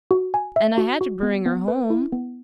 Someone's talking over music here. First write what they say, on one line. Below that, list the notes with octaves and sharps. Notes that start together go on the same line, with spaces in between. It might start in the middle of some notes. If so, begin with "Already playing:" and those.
And I had to bring her home.
F#4
G#5
E5
F#4
F#4
B3
B3
B4
E4
B3